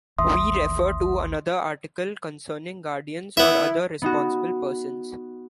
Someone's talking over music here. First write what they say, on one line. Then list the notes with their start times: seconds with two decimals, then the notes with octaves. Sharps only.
We refer to another article concerning guardians or other responsible persons.
0.18 A1 D#2 E5 C6 D#6
3.37 B3 E4 E5
4.02 B3 D#4 F#4